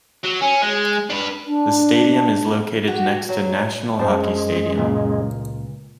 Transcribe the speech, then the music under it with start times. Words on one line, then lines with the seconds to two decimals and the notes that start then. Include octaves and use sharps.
The stadium is located next to National Hockey Stadium.
0.24 F#3
0.42 C#4
0.62 G#3
1.10 D4 B4
1.46 D4
2.87 F#4 G4
3.29 F#3
3.99 F#2 G#3 C5 A5
4.78 C#2 A#2